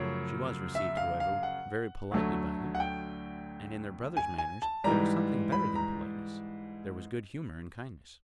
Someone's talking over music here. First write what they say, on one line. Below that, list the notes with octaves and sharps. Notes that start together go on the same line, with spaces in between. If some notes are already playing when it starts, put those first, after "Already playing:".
She was received, however, very politely by them; and in their brother's manners there was something better than politeness; there was good humour and kindness.
Already playing: F#2 C#3 F3 A3 C#5
E5
F5
F5
F#5
D2 D3 F#3 A3
F#5
G5
G#5
G#5
A5
G#2 E3 G3 A#5
B5
A#5